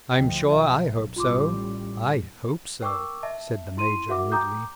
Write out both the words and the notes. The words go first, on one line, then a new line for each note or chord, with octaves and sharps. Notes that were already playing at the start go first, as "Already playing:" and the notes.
"I'm sure I hope so; I hope so," said the Major moodily.
D2 F3 D#5 G5
B1 E5
A1 G3 F4 C6 D6
A#4 G5 C#6 D6 E6
D#5 E5 A5
E4 C6 D#7
F#4 A#4 E5 F#5 D6
G5 A#5 D6 D#6 G6